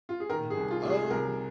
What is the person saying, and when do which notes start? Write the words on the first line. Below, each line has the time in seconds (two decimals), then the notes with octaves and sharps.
Mhm. Um,
0.09 F4
0.20 G#4
0.30 D#3 A#4
0.50 G#4
0.57 C2
0.71 F4
0.84 C3
0.90 G#4
1.10 C2 A#4